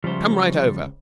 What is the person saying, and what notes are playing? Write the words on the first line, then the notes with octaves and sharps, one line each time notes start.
Come right over.
C#2 C#3 F3 G3 C5